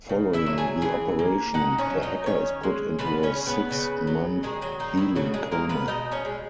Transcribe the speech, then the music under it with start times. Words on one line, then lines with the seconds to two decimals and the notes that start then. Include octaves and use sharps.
Following the operation, the hacker is put into a six-month healing coma.
0.09 C#3
0.33 E4 E5
0.46 F#3
0.58 G#4 G#5
0.82 E3 G#4 G#5
1.19 A#3
1.54 D#4 F#4 F#5
1.78 C#4 C#5
1.90 F#3
2.02 D#4 D#5
2.26 D#3 C#4 C#5
2.63 G#3
2.99 C#3 B3 B4
3.23 C#4 C#5
3.35 G#3
3.47 B3 B4
3.71 C#3
4.07 F#3
4.43 D#3 G#3 G#4
4.61 F#3 F#4
4.79 A#3 D#4
4.97 E4
5.15 C#3 F#3 F#4
5.34 G#3 G#4
5.51 G#3 A#3 A#4
5.69 B3 B4
5.88 B2 D#4 D#5
6.12 C#4 C#5
6.25 G#3